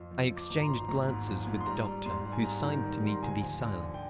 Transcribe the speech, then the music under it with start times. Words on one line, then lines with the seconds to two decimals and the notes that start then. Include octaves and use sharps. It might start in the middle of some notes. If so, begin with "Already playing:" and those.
I exchanged glances with the doctor, who signed to me to be silent.
Already playing: F2
0.11 F3
0.30 F3
0.37 D6
0.50 G#1
0.59 A#5
0.63 C6
0.69 G#1
0.88 G#1 A#5
1.08 G#2
1.28 F3
1.47 G#2
1.60 C6
1.66 G3 A#5
1.86 G3
2.06 G#2 C6
2.25 G3
2.33 G#5
2.44 G#2 A#5
2.64 D#3
2.84 G3
3.03 G#2 C6
3.15 A#5
3.22 D2 G#5
3.42 F3
3.61 D3
3.81 F3
3.94 G5